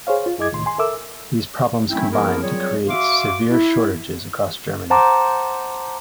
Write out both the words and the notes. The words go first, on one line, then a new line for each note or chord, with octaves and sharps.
These problems combined to create severe shortages across Germany.
G#4 C5 C#5 F5
F4
F#2 E4 G#4 D#5 D6 G#6
C2 A2 D#3 C6
G#5 C6
A4 A#4 E5 D6 E6
F#3 A3 C4 C#4 D#4 E4
F3 A#3 B3 E4 G#4 A#4
F#3 G3 C4 F4 G#4 C#5
F#4 E5 F5 C6 D6
E4
C5 F#5 A5 A#5 C6 D6